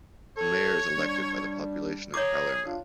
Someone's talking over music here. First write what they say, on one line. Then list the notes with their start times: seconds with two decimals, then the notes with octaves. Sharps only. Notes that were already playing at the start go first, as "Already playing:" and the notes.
The Mayor is elected by the population of Palermo.
0.37 A4 C#5
0.97 G3 D4
2.14 G#4 C#5 A#5 D6
2.66 D4 F4